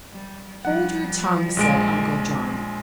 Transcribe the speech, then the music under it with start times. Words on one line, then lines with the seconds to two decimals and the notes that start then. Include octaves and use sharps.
"Hold your tongue," said Uncle John.
0.11 G3
0.65 F3 G3 F#5
1.57 A#1 G#3 D7